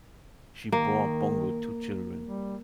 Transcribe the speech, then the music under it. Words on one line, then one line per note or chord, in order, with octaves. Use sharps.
She bore Bongo two children.
D#3 A#3
G3